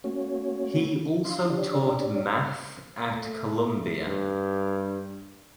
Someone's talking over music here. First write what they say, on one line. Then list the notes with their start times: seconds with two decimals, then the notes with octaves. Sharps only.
He also taught math at Columbia.
0.04 A3 A#3 C#4 F#4 C#5
1.25 D4 F5 C6
1.50 D4 G4 C#5 D5
3.11 A3
4.07 G2